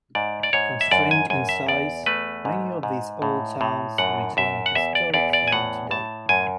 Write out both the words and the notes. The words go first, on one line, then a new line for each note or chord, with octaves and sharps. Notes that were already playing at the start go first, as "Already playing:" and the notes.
Constrained in size, many of these old towns retain a historic feel today.
G#2 D5
D5
G#2 C#5
E5
F#2 D5
G#5
F#2 G#5
E5
E2 D5
A3 B4
G#2
G#2
A2
A2
F#2 F#5
F#2 E5
F#5
E2 E5
D5
E2 D5
D5
G#5
A2 F#5
A2 A5
F#2 G#5